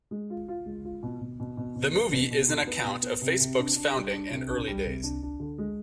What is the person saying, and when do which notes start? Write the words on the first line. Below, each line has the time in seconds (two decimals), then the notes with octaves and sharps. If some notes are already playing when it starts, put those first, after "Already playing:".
The movie is an account of Facebook's founding and early days.
0.11 G#3
0.30 F4
0.48 F4
0.66 G#3
0.85 F4
1.03 B2
1.20 B2
1.40 B2
1.57 B2
1.76 B2
1.94 B3
2.12 B2
2.31 B2
2.48 D#4
2.67 B3
2.84 B2
3.03 B3
3.21 C3
3.40 C3
3.58 D4
3.76 D4
3.95 G3
4.12 D4
4.30 C3
4.49 D4
4.68 G3
4.86 C3
5.03 D4
5.22 D4
5.40 D3
5.58 G#3